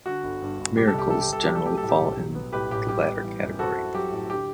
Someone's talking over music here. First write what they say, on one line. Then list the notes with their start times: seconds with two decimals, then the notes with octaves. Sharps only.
Miracles generally fall in the latter category.
0.06 D3 F#4
0.23 G1
0.42 G2
0.59 G1
0.77 G3 G4
0.87 A4
0.94 C2 G4
1.10 C3 A4
1.21 G4
1.29 C2 A4
1.43 F#3 G4
1.55 A4
1.65 A3 G4
1.78 A4
1.83 A2
1.89 G4
2.01 B1
2.18 F#3
2.35 B3
2.53 A2 G4 B4
2.71 A1 G4
2.88 G3 G4
3.05 B3
3.23 E3
3.42 F#2
3.59 C4 F#4 A4
3.77 E4
3.94 F#3 G4
4.12 A2
4.30 D3 G4